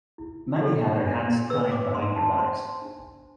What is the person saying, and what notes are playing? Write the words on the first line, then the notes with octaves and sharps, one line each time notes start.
Many had their hands tied behind their backs.
E4
A4
D4
B4 E6
D6
D4 C6
A5
C5 C6
D4